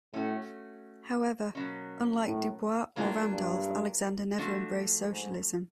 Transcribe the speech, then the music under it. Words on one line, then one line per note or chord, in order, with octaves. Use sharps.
However, unlike Dubois or Randolph, Alexander never embraced socialism.
A2 A3 C#4 F#4
B2 F#3 A#3 C#4
A2
A2 F#3 A#3 D4 F4 G#4
G2
F3 A3 D4 F#4
G#2